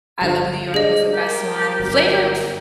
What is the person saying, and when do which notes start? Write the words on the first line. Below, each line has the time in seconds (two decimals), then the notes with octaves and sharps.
I Love New York was the best one. Flavor Fl
0.22 G1 D3 G3
0.74 G3 G#3 D4 G#4 D#5
1.13 G4 A#4
1.80 G1 F#3